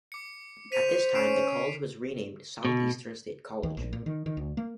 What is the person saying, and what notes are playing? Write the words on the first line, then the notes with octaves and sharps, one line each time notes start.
At this time, the college was renamed Southeastern State College.
D6 C#7
C5 B6 D#7 F7
C#4 C7 D7 E7
B2
D#2
A#1
A#2
D#3
D#3
D2
A#3